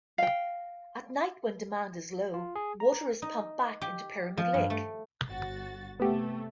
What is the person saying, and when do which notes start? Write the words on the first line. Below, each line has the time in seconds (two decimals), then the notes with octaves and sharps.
At night, when demand is low, water is pumped back into Pyramid Lake.
0.18 F5 G5
2.34 F4
2.56 G#4
2.80 A#5
3.22 D#4
3.82 G4
4.37 F3
4.54 G2
4.70 A3
5.28 G1 F#4 A6
6.00 C3 A3 B3 G4